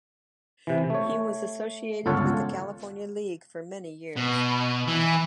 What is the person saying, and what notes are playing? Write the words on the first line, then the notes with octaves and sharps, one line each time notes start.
He was associated with the California League for many years.
C3 E3
A3 C#5
G1 C#2 F4 A4 C#5 F#5
B2
E3